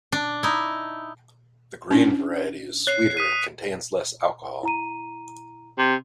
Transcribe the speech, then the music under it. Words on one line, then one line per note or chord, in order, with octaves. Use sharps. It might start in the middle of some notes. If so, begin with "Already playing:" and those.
The green variety is sweeter and contains less alcohol.
D4
D#4 E4
C#4 D4 E4
C#5 F#6 C7
D#6 B6 D#7
E4 A#5 D#7
C3